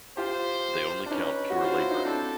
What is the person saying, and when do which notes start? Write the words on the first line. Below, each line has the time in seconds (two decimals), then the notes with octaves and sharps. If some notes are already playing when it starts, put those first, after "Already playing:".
They only count pure labour.
0.17 F4 G4 C5
1.06 D4
1.11 C#4 D#4 B4
1.50 F#4
1.58 C5
1.64 F4
1.78 E4
1.91 D#4
2.05 C4 D4 A4